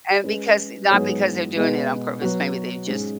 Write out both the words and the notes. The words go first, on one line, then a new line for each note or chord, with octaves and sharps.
And because e not because they're doing it on purpose, maybe they just
G#3 C#4 B4
G#2 F#3 B3 G#4 C#5
B2 G#3 B3
F#3 B3 F#4
G#2 G#3 C#4 G#4